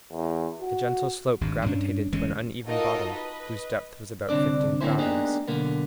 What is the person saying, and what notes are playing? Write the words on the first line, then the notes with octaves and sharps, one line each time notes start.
A gentle slope gravitated to an uneven bottom whose depth was about fifteen fathoms.
E2
F#4
G#1 G2
G2 C#4 D4
F#1 E3 G#3 C#4
D#4 F4 F#4 A4 A#4 D#5
B4 D#5
C2 D3 C4 D4 D5
D3 A#3 C4 C#4 E4 C5
A#3 B3 D4 D#4 G4 G#4
B1 D3 A#3 B3